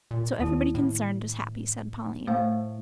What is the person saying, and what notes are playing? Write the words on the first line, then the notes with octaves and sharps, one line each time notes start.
"So everybody concerned is happy," said Pauline.
A#2
D#2 D#3 A#3 E4
A2
A2 A3 C5 F5